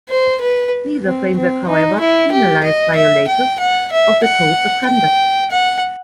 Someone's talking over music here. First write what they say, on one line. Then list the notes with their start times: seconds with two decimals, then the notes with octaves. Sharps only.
Neither framework, however, penalizes violators of the codes of conduct.
0.09 C5
0.41 B4
1.05 C4
1.37 C4
1.68 D#4
2.00 E4
2.32 G4
2.64 D#5
2.96 E5
3.28 G5
3.59 F#5
3.92 E5
4.23 F#5
4.87 G5
5.51 F#5